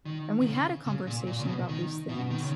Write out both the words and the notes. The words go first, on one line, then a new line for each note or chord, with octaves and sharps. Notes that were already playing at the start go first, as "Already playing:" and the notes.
And we had a conversation about these things,
D#3
D#3
C#3
C#3
A#2
A#2
C#3
B2
D#3
B2
D#3
C#3